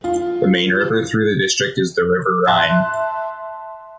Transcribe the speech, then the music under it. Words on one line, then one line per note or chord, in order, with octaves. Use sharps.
The main river through the district is the River Rhine.
F4
E5 A5 C6 F#6